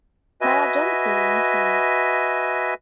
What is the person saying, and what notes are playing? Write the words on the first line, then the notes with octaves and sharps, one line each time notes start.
But I don't blame him.
F#4 B4 D#5 E5 G#5